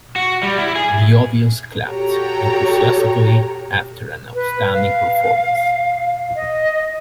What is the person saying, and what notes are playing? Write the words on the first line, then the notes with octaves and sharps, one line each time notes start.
The audience clapped enthusiastically after an outstanding performance.
F#4
G3
E4
G#4
F#4 G4 A4 C#5 G5 A#5
B4
F5
D#5